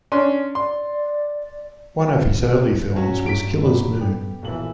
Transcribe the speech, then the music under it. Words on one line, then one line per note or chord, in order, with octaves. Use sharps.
One of his early films was "Killer's Moon".
C#4 D4 C6
D5 C6
G2 F#3 C#4 F#4
F#3 B6 D7
F#3 D5 B5
B3 G4 A4
B1 A#2 E3 F#7